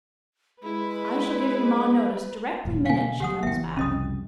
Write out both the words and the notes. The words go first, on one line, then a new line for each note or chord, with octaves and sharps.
I shall give your ma notice directly minute she comes back.'
G#3 E4 B4 B5
D#1 F#2 A#2
B2 D3 A#3 F5 G#5
D2 F#3 G4 F#5 D#6
F#1 E3 E5 G5
C2 F2 C#3 C#4 D#5 D#6